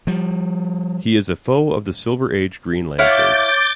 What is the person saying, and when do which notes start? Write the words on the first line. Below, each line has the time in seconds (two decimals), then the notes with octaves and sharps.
He is a foe of the Silver Age Green Lantern.
0.07 F3 G3
2.99 E4 C#5 F5 F#5 D6 G6 A6